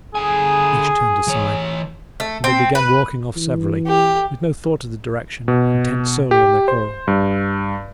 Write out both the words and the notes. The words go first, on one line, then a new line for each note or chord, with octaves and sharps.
Each turned aside, and they began walking off severally, with no thought of the direction, intent solely on their quarrel.
D3 G#4 G#5
E3 C#5
A3
C4
B4
E3
G4
B2
G4
C5
G2